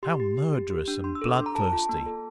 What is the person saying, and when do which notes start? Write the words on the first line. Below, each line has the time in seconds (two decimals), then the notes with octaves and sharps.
"How murderous and bloodthirsty!"
0.03 G4 C6
0.20 G4
0.37 G4
0.54 G4
0.70 G4
0.88 D4
1.04 D4 C6
1.15 E6
1.22 A4 D6
1.36 D4 C6
1.46 A#5
1.55 A4 A5
1.73 F4
1.89 A#3
2.06 A4